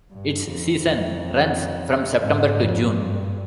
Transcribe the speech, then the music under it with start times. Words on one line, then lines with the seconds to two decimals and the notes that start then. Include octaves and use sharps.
Its season runs from September to June.
0.11 G2
0.46 F2
2.22 G#2
2.56 F2
2.93 G2